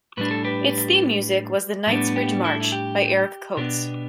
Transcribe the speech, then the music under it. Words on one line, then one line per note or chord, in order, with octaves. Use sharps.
Its theme music was the "Knightsbridge March" by Eric Coates.
A2 G3 D4 B4
A4
G4 B4
A2 G3 B3 D4 G4
G4
E4 A4
E4
G4
B2 B3 D4